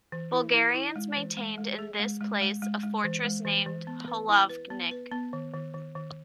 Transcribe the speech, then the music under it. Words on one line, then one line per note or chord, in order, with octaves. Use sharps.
Bulgarians maintained in this place a fortress named "Holavnik".
E3
E4
E4
E4
G#3
E3
G#3
G#3
G#4
G#3
G#3
G#3
G#3
G#3
E3
G#3
E3
E3
B3
B4
E4
B4
B3
B4
B3
D#3
D#3
D#3
D#3